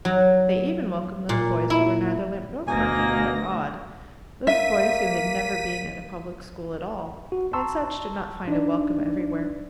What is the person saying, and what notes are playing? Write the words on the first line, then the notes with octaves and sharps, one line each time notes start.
They even welcomed those boys who were neither limp nor perky, but odd--those boys who had never been at a public school at all, and such do not find a welcome everywhere.
F#3
A#2
E4
D2 B2 A#3 D#4 G#5 A#6
A#3 E5 B6 D#7
F#4
A5 A#5 C6 C#6 E6
D4 D#4 D5